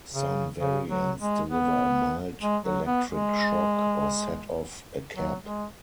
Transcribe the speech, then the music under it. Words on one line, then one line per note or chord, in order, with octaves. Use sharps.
Some variants deliver a mild electric shock, or set off a cap.
C#3
C#3
F#3
G#3
B3
G#3
F#3
B3
G#3
F#3
G#3